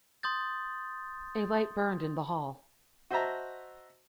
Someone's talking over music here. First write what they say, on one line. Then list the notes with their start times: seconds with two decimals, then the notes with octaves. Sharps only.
A light burned in the hall.
0.23 C6 D#6 G6 A6
3.10 F#4 C5 D#5 E5 A5 A#5